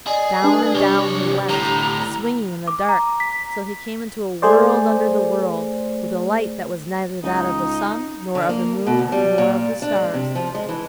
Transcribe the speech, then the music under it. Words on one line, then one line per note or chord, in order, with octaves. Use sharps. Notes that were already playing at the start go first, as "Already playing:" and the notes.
Down and down he went, swinging in the dark, till he came into a world under the world, with a light that was neither that of the sun, nor of the moon, nor of the stars.
G#4 D5 D#5
G3 D4 B4
C2 G4 C#5
D2 A2 A#5
D6
A#5
B6
A3 G#4 C5 D5
C#2 D#4
D3
A#3
B2
D2
G3
A#2
D4
G#3
C3
F3
G#3
E3